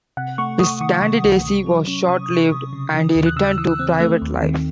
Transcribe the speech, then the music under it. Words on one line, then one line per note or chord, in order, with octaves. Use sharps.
His candidacy was short-lived and he returned to private life.
C3 F#5
A3 C#6
A3 D#6
D#3 C#6
C3
C2
C3
F#3
C#4
C3 D#6
C3
C3
C#3
E3
D#2
F#6
C#3 E6
E3 E6
C4
A3
D#2
D#3